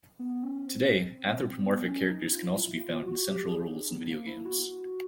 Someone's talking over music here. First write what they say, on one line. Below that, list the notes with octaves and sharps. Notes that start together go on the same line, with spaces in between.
Today, anthropomorphic characters can also be found in central roles in video games.
B3
C#4
C4
B3
C#4
D#4
F4
E4
F4
F#4
G4
G#4
D#4
D4
B3
A#3
E4
F#4